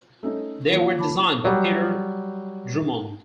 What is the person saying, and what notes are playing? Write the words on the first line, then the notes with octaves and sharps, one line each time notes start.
They were designed by Peter Drummond.
A3 C#4 D#4
E3 A#3 F4 C#5
A5 B5 D6
F#3 G3